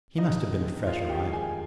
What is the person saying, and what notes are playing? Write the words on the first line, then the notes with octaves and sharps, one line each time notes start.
He must have been a fresh arrival.
G2 D#4 D#5
D#3 G#3
G2 F4 F5
G4 G5
D#3 G#3
G#4 G#5